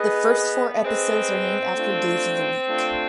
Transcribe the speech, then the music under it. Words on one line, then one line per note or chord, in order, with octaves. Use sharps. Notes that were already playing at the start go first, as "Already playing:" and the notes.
The first four episodes are named after days of the week.
Already playing: B3 G#4 B4 D#5
C4 G#4 B4 D#5
A3 D4 F4
A3 D4 F4